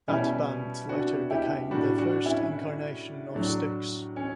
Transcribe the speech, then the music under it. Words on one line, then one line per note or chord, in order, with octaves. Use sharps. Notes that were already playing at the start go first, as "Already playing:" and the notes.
That band later became the first incarnation of Styx.
B2 G3 C#4 E4
D4 F#4
E4 G4
A2 G3 D4 F#4
D4 F#4
C#4 E4
A2 F#3 D4
C#4